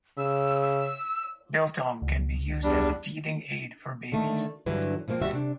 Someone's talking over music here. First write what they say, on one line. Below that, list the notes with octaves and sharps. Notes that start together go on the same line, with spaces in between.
Biltong can be used as a teething aid for babies.
C#3 E6
E6
C#2
E2 G3 D4
D3 D#3 A3
G2 D3 E3 F#3
A#2 F3 G3 A#3 C4
D#2 A#2 G3 F#4 E5
C3 D4